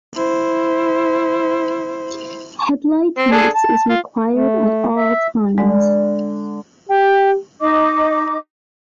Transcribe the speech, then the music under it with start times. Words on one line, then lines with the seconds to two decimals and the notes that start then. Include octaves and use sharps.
Headlight use is required at all times.
0.15 E4 C5
3.18 C4
3.32 D4 G#4 A4
3.55 A5
3.89 F4
4.35 A3
4.96 E5
5.58 D3 G#3
6.89 G4 G5
7.60 D#4 D#5 D6